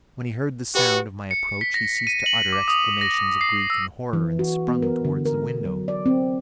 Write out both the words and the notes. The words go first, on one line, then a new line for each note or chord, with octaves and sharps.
When he heard the sound of my approach, he ceased to utter exclamations of grief and horror and sprung towards the window.
F#4 G4 B4 C#7
C#7
B6
A#6
D#7
F#7
D6
D#6
A#6
C7
E6
E3
F#4
B3
A#4
D3
A#4
F#3
D5
C4